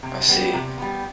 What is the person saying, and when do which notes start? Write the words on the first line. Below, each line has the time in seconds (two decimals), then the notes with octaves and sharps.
I see.
0.03 C3
0.28 G3 B3
0.53 C3
0.78 G3 B3